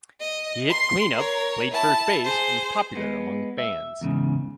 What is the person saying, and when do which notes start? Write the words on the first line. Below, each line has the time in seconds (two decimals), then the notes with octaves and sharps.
He hit cleanup, played first base and was popular among fans.
0.20 D#5
0.69 C6 C7
1.14 A#4 C#5
1.72 E4 A5
2.24 G#4 C5
2.95 G#3 B3
3.58 E5
4.01 E2 G#2 C#3